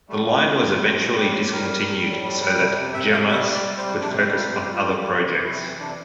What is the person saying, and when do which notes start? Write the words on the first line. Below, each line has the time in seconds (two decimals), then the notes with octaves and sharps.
The line was eventually discontinued so that Jemas could focus on other projects.
0.09 G3 A3
0.27 G3
0.44 A2 F4
0.62 G3
0.80 A2
0.98 G3
1.16 A2 G4
1.34 A2
1.51 G3 A#4
1.69 G3
1.87 G3
2.05 A2
2.23 G3
2.40 G3
2.58 C3
2.76 C3
2.94 C3 E5
3.12 C3 F5
3.29 G3 E5
3.48 G3
3.54 D5
3.66 G3
3.78 C5
3.83 C3
4.01 C3 D4
4.19 G3 E4
4.37 C3 F4
4.55 G3 G4
4.72 G3 F4
4.90 G3
5.08 C3
5.26 C3
5.44 C3 E4
5.61 E3
5.79 C3 D4